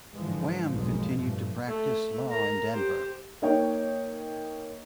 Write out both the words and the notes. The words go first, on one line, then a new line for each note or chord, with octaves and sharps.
Wham continued to practice law in Denver.
G#2 D3 E3 F3 G#3
B1 F2 G#3 A#3
G2 A#2 F3 A3
A3
A#4 A#5
G4 C5
A#3 D#4 C#5 G5